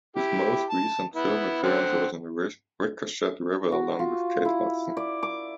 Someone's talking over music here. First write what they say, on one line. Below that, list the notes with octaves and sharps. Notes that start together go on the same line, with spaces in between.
His most recent film appearance was in "Ricochet River", along with Kate Hudson.
E4 G4
A5
B3 E4
D3 C4 F#5
F#4
F4
E4
D5
D6